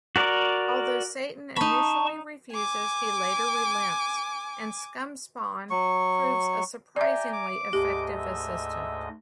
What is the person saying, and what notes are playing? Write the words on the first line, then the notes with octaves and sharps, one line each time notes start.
Although Satan initially refuses, he later relents, and Scumspawn proves a surprisingly effective assistant.
F#4 A#4 D5
D#4 A5 B5 C#6
G#5 D6
F#3 C#6
G4 D5 E5 G#5 A#5
D6
D2 G#2 G4 D#5
E5